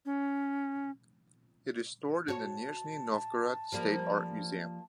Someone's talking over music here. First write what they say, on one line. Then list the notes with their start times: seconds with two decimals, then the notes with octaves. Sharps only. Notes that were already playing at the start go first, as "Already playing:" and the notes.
It is stored in the Nizhny Novgorod State Art Museum.
0.06 C#4
2.28 F#4 C#5 A5
3.72 F3 G3 A#3